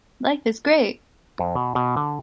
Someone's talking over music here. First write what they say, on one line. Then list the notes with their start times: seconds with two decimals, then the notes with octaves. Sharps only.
Life is great!
1.39 F2
1.55 B2
1.75 B2
1.97 D3